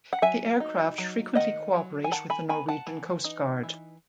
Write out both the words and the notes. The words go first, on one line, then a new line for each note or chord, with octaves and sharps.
The aircraft frequently cooperate with the Norwegian Coast Guard.
F#5
F#3 E5 G#5
D#4
F#3
D#3 D#5 F#5
F#3
G#5
D#3 F#5 A5
G#5 B5
B3 G#5 B5
F#5 A5
E3
D#4
E3